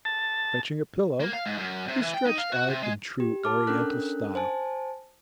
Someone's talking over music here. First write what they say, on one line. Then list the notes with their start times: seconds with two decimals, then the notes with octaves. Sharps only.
Fetching a pillow, he stretched out in true oriental style.
0.05 A5
1.21 A#3
1.33 F5
1.46 G#2
1.58 F#2
1.88 C3
2.01 E3
2.14 G5
2.26 D#4
2.38 F5
2.52 F#4
2.69 C3
2.82 G#3
3.20 G4
3.44 A5 D6 F6
3.67 C#4 D4 A4 A#4 F#6
4.35 C5 G#5 A5